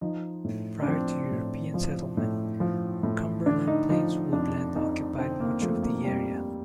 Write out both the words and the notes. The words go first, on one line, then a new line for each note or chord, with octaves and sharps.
Prior to European settlement, Cumberland Plains Woodland occupied much of the area.
F3 D#4
A2
D4
F3 C4
A2
F3
A2
F3
A2
D3 D4
D#4
F3 D#4
F2 D4
F2 D#4
D3 C4
A#3
F3 A3
A#3
F2 G3